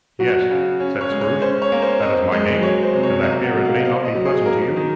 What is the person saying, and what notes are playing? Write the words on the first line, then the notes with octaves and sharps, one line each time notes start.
'Yes,' said Scrooge. 'That is my name, and I fear it may not be pleasant to you.
F#3 F#4
C#3
C#4
C#5
G#3
C#5
C#4 C5
C#5
A#3
C5
C4 D#5
G#3
F#3 C#5
C5
C3
C#5
A#3 D#5
F#5
F#3
F5
D#5
C4 F5
D#5
F#3
G#4
A#3 A#4
D#3